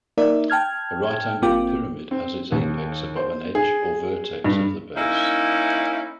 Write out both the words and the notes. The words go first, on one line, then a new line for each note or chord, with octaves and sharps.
A right-angled pyramid has its apex above an edge or vertex of the base.
A#3 D#4 A#4 D5 E5
G5 A5 F6 G#6
G1 A#3 C4 F4 G5 D6
C4
D#2
C5
G#4
G2
A#3 C#4 D#4 E4